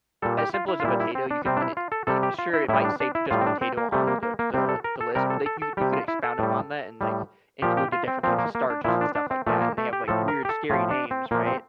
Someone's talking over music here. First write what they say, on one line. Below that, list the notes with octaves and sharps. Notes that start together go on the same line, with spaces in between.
As simple as a potato, you can it y sure, it might say just potato on the the the list, but they you you could expound upon that and, like, include the different types of starches and stuff like that, and they have, like, weird scary names, right?
A#2 G3 A4
G4
F4
E4
F4
A#2 G3 E4
E4
C4
D4
C3 G3 C4
D4
E4
F4
A4
C3 G3 A4
G4
F4
E4
A2 G3 E4
D4
D4
E4
A2 G3 F4
C4
D4
C4
A#3
C3 G3 A3
A#3
A#3
A#3
C3 G3 C4
A4
A#4
A4
C3 G3 A#4
A4
A4
A4
C3 G3 G4
F4
E4
A4
A2 G3
A2 G3
A#2 F3 G4
G4
F4
C4
A#2 F3 C4
A#3
A#3
D4
A#2 F3 E4
D4
D4
C4
A#2 F3 A3
A#3
A3
G4
A2 F3 A4
A#4
G4
A4
A2 F3 F4
D4
C4
A#2 F3 A#3
C4